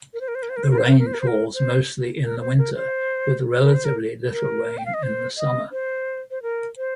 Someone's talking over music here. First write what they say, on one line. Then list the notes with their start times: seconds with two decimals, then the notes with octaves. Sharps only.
The rain falls mostly in the winter, with relatively little rain in the summer.
0.14 A#4
0.21 C5
0.28 A#4
0.35 C5
0.43 A#4
0.49 C5
0.57 A#4
0.64 C5
0.71 A#4
0.78 C5
0.84 A#4
0.92 C5
0.99 A#4
1.07 C5
1.13 A#4
1.21 C5
1.27 A#4
1.54 C5
2.24 A#4
2.41 C5
2.58 A#4
2.75 C5
3.62 A#4
3.74 C5
3.85 A#4
4.32 A#4
4.78 G5
4.86 F5
4.94 D#5
5.03 C5
5.38 D#5
5.72 C5
6.31 C5
6.43 A#4
6.77 C5